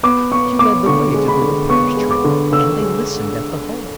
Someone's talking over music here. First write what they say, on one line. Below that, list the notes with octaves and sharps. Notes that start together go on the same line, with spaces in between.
She led the way to the woodpecker's tree, and they listened at the hole.
B3 D6
B3 C#6
B3 D6
D3 C#6
G#3
B5
D3
B3 C#6
G#3
D6
D3
D3 E6
G#3